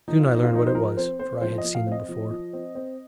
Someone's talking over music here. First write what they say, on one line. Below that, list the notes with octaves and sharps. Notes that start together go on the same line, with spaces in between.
Soon I learned what it was, for I had seen them before.
F3 D#4
F4
C4 D#4
F4
F3 D#4
C5
F3 A#4
C4 C5
C4 C5
F3 C5
D#5
F3
F5
C4
D#5
F3
F3
C4
C4